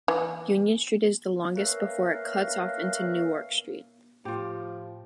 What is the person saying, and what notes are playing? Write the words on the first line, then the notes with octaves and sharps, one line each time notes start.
Union Street is the longest before it cuts off into Newark Street.
E3
A#3 C#4 A#4 B4 E5 F5
A2 F3 F4 G4